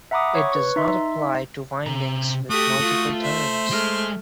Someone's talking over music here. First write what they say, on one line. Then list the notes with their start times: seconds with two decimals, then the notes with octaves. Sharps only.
It does not apply to windings with multiple turns.
0.11 E5 F#5 A#5 B5 D6 D#6
0.35 C#5 C#6
0.52 B4 C#6
0.76 D#4 E5 C6
1.87 C3 A#5
2.50 A3 F#4 G4 A4 D#6
2.80 A3 F4
3.22 C5 E5
3.71 G#3 A3 F6